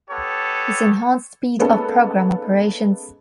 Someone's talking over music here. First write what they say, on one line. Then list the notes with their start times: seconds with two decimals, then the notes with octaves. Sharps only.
This enhanced speed of program operations.
0.10 B3 G4 A4 C#5
1.59 G#3 A#3 B3 C#4 D#4 A4